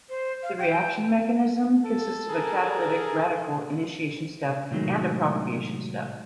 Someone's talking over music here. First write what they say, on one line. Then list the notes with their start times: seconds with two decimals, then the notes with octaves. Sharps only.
The reaction mechanism consists of a catalytic radical initiation step and a propagation step.
0.09 C5
0.43 F5
0.59 G5
1.85 A4
2.30 G#4 A#4
4.71 A2 C3 D#3 F#3 G#3 A3